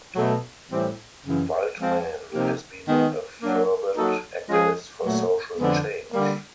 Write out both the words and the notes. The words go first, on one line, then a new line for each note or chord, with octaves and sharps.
Waldman has been a fervent activist for social change.
B2 F#3 A3
A2 E3 G3 C4
F#2 C#3 E3
F3 G#3 C4
C3 F3 A#3 D#4 G4
D#3 G#3 B3
F#3 A#3 D4
F#3 A#3 D#4 F#4 A4
F3 G#3 C#4 F4 G#4
A#2 F#3 A3
F2 D3 F3 G#3 B3
D3 G3 A#3